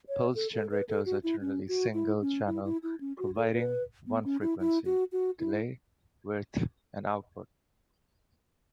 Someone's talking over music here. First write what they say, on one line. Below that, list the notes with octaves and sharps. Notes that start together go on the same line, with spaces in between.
Pulse generators are generally single-channel providing one frequency, delay, width and output.
C#5
A4
A4
B4
A4
F#4
E4
C#4
F#4
E4
C#4
E4
E4
E4
C#4
F#4
A4
B4
B3
C#4
E4
E4
F#4
F#4
E4